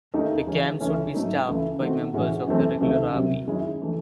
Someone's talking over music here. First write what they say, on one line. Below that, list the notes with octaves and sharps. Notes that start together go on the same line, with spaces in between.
The camps would be staffed by members of the regular army.
D#2 D#3 A3 D#4
C#3 E3 G#3 C#4
C#2 C#3 E3 A3 C#4
G#2 F#3 A3 D#4 A4
C#2 C#3 E3 A3
D#3 A3 C4 F#4
A2 E3 G#3 C#4 F#4
F#2 E3 A3 C4
C#2 C3 D#3 A3
C2 C3 F#3 C4
F#2 D#3 G#3 C#4 E4
C#3 E3 A3